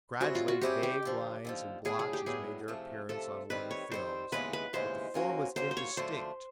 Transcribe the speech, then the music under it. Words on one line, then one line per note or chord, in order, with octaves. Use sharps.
Gradually vague lines and blotches made their appearance on one of the films, but the form was indistinct.
G3 C4 E4 F#4 G#4 C#5
F4
F#4
G3 C4 E4 G4 G#4 C#5
G4
D#2 D3 F3
D#2 D3 F3
A2 F#3 B3 D4 G#4
G#4
G4
A2 F#3 B3 D4 G#4
C3 F3 A3
C3 F3 A3 A4
D#3 G3 C4 B4
C#5
D#3 G3 C4 C5
D#2 C#3 E3 G#3 B3 B4
B4
D#2 C#3 E3 G#3 B3 C5
D#2 C#3 F#3 A#3 C#4
D#2 C#3 F#3 A#3 C#4 C5
C5
C#5
F#2 D3 F3 A3 D4 C5